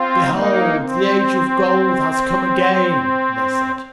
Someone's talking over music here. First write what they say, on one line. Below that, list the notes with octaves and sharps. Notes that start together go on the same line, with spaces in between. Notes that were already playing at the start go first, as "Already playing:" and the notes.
"Behold, the Age of Gold has come again," they said.
Already playing: C4 F4
A#3 D#4
C4